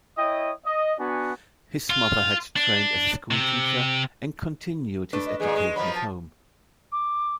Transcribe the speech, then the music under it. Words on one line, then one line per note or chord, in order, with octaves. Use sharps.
His mother had trained as a school teacher, and continued his education at home.
E4 C#5 D#5 G5 D#6
D#5
B3 D4 F#4 G#5
F4
D4
C3
A3 D4 B4
D#5
A#2 E3 G#4 D#5
G#3
F3 F#3 B5
A5
D6